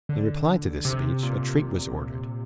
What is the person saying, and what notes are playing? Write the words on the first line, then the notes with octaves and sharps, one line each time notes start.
In reply to this speech a treat was ordered.
D3
C3
A#2